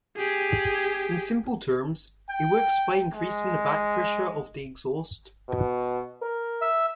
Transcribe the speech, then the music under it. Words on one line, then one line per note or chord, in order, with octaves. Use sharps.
In simple terms, it works by increasing the back-pressure of the exhaust.
G4 G#4
G5
G#3
B2
A#4
E5